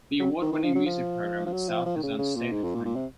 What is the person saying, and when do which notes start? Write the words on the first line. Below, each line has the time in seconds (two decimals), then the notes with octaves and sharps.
The award-winning music program at South has earned state acclaim.
0.20 F#3
0.42 D#3
0.53 D#3
0.64 F3
0.75 F#3
0.86 F3
1.46 F3
1.53 F#3
1.69 F3
1.86 F3
1.96 D#3
2.03 C#3
2.19 C#3
2.36 A#2
2.52 G#2
2.64 F2
2.75 A#2
2.85 A#2
2.96 C3